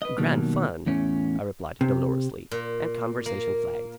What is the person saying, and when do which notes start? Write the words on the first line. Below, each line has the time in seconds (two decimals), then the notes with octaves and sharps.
"Grand fun!" I replied, dolorously; and conversation flagged.
0.02 B4 D#5
0.17 B2 D#3 F#3 G3 A#3
0.86 E2 A2 C#4
1.81 C3
2.51 A#2
3.26 A#3